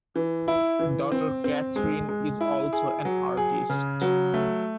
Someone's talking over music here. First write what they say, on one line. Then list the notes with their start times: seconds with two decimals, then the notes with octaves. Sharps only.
Daughter Catherine is also an artist.
0.16 E3
0.48 E4
0.79 E3
1.12 C4
1.44 C4
1.76 G#3
2.08 G#3
2.41 E4
2.73 G#4
3.05 F#3
3.37 G#4
3.70 C#3
4.01 F#3
4.34 A3